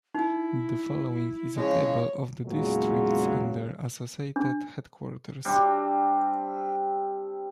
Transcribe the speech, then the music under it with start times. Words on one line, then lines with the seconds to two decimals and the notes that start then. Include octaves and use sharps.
The following is a table of the districts and their associated headquarters.
0.15 D#4 E4
1.56 C#3 F3 G#3 C#5
2.46 E2 A#2 C#3 F#3 G#3
4.36 D4
5.45 G3 C4 D4